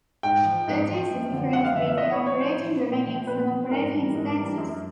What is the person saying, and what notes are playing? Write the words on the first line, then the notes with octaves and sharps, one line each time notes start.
It is the difference between operating revenues and operating expenses.
G#2 G5
F3
G#2
F3
F#2
D3 F3
F#2 F#5
F5
D3 F3 E5
E5
A2 D#5
C#5
F3
C#5
A2 C5
F3
A#2
F3
A#2 B4
F3
G#2 A#4
E3 G3
G#2
E3 G3
F#2